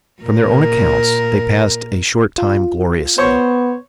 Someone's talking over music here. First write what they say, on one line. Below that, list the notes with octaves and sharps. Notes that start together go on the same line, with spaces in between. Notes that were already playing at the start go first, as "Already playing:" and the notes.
From their own accounts, they passed a short time gloriously.
A#2 A#4
F4
B3 C5 C#5 C#6